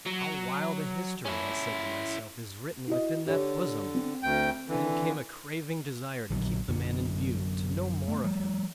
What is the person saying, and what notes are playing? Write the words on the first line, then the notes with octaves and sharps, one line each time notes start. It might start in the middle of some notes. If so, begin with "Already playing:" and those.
"How wild a history," I said to myself, "is written within that bosom!" Then came a craving desire to keep the man in view--to know more of him.
F#3
C#4 E4
E4 F#4 D#5
D3 G4 C#5
C4
D2 G5
D3 E3
A#1 D3 F#3
F#2 D3 F#3
A3 B3
F3 G3